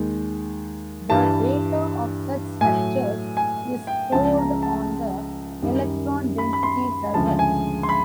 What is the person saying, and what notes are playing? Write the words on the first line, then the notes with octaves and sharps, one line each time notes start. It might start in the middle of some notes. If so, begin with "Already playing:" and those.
The data of such structures is stored on the "electron density server".
Already playing: D#2 D#3 G#3
G2 E3 G3 A5
A2 F#3 G#5
G#5
G5
C#2 C#3 F3 G#3 A5
A#5
A5
F#2 D#3 G3
B5
B5
C6
D2 C#3 F3 G#3 A5
G#5
C6
B5